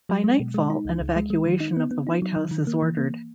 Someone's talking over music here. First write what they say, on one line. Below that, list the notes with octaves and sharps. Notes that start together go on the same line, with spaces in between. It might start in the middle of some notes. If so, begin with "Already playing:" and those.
By nightfall, an evacuation of the White House is ordered.
F#3
G#3
B2
G#3
D#4
C#2
C#2
G#3
G#3
D#3
D#4
B3
B3
D#4
F#3
D#3
D#3
A#3
E3
A#3